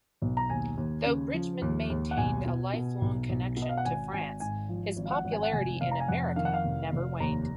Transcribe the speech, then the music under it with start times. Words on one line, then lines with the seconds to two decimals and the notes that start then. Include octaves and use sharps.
Though Bridgman maintained a lifelong connection to France, his popularity in America never waned.
0.22 B1
0.37 A#5
0.49 D#2 G#5
0.77 D#2
1.06 C#3
1.34 F3
1.62 D#2
1.90 D#2
2.11 F#5
2.17 B1 G#5
2.46 B2
2.73 B2
3.01 B1
3.29 B1
3.57 B2
3.62 D#5
3.69 F5
3.77 F#5
3.85 G#1 G#5
4.13 G#1 G#5
4.40 G#2 G#5
4.69 F3
4.97 G#1
5.06 F5
5.11 F#5
5.25 G#1
5.32 G#5
5.43 F#5
5.53 F1 G#5
5.81 F1 F5
5.91 A#5
6.00 G#5
6.08 F2 F#5
6.36 D#3 F5
6.45 F#5
6.54 F5
6.64 F1
6.92 F1
7.20 D#2 A#5